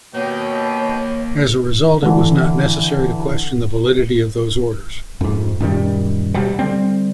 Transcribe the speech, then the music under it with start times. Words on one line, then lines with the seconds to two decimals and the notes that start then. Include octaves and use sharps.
As a result, it was not necessary to question the validity of those orders.
0.14 B2 A#3 C#5 D#5 G5
2.02 D3 E3
5.21 F2 G#2
5.60 F#2 A#2 D#3 G3
6.34 D2 B2 F#3 G3
6.59 D3 F#3 G3 C4